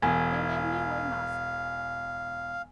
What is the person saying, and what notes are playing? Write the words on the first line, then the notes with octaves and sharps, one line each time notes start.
They led me away masked.
E1 F5 G#5